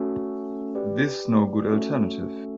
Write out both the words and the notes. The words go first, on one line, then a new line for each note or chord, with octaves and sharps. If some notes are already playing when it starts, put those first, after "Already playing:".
This no good alternative.
Already playing: A3 C#4 F#4 A4
G4 B4 D5
A3 C#4 F#4 A4